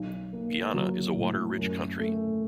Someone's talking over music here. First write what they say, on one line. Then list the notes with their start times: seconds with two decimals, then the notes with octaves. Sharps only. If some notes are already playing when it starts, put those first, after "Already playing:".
Guyana is a water-rich country.
Already playing: B1
0.33 A#3
0.74 F#3
1.16 A2
1.57 F#2
1.99 A3